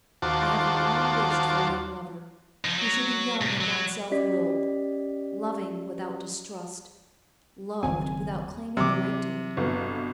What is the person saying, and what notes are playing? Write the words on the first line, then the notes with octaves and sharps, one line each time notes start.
I have long wished for a young lover, who should be young and not self-willed, loving without distrust, loved without claiming the right to it.
D#2 F4 F#4 C5 A5 D6
F3 D#4
F#3
A2 C3
F#3
C#4 G4 D5 D#5 B6
F#1 D#2 C4 G#5
C3 E3 F#3 G3 D6
G1 B2